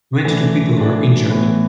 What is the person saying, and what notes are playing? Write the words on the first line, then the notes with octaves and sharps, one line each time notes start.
Twenty-two people were injured.
E3 A3 D4
E3 A3 D4
A2 E3 B3